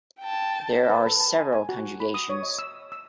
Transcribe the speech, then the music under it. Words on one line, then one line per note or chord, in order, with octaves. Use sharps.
There are several conjugations.
G5 A5
B4
A4
A5
G#5
G#5
F#4
B5
D#6
C#5
D#5
E6
E6